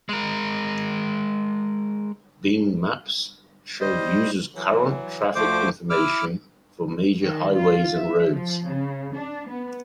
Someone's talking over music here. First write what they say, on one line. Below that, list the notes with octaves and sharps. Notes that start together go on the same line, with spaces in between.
Bing Maps shows users current traffic information for major highways and roads.
G#3 A#4
G3 C5 D#5
E3 F#3
D2 D3 F3 A3 C5 D6
E4 D6 E6 F6
D#3
F4
E5
F3
C#3
D4
B3